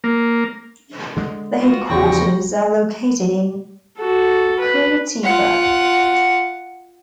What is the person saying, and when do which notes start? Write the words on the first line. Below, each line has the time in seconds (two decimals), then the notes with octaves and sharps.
The headquarters are located in Curitiba.
0.04 A#3
1.17 D3 G#3
1.58 F4 F#4
1.90 E2 C#3 F3 G3 C5 G5 C#6 A#6
3.99 F#4 A4
4.60 B4
5.24 F4 F#5